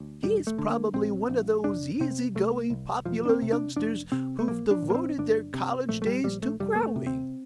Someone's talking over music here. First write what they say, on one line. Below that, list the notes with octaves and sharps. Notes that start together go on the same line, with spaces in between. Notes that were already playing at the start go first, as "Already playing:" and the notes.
He's probably one of those easy-going, popular youngsters who've devoted their college days to growing.
Already playing: D2
E1 G3
A3
D3
A#3
A#1 C4
A#1
F1 D4
C3 C4
C2 A3
C2
E1 F3
D4
C4
C3
D4
F1 D4
C3 C4
A3
A#1 A#3
D4
A#1
A#3
C4
G1 D4
C3
A#1 A3
A3
G3
A#1 G3
A3
F1 G3
A#3
A3
C3
C4